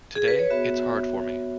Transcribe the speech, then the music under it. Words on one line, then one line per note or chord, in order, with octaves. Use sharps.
Today it's hard for me.
G#4
B4
C#5
B3 F#4 E5